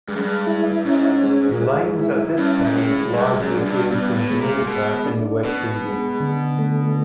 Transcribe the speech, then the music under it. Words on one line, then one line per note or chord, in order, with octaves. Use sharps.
The limes at this time largely came from Dominica in the West Indies.
G2 G#3
F#2
G2
E4
G#2 C#4
G#3
G#3
E4
G2 C#4
G#2
A2 G#3
G2 G#3
F#2
D4
G2
G2 B3
A2
G#3
A#2
B2 G#3
D4
B2 B3
G#3
D3
A3